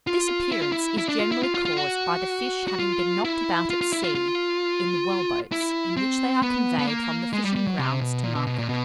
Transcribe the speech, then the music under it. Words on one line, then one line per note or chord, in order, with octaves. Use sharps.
This appearance is generally caused by the fish having been knocked about at sea, in the well-boats, in which they are conveyed from the fishing-grounds to market.
F4
E4
F4
E4
E4
D4
F4
E4
F4
F4
F4
F#4
F#4
F4
E4
F4
F4
E4
F4
F4
E4
C4
B3
B3
A#3
G#3
G3
G3
F#3
C3
B2
A#2
B2
B2
A#2
B2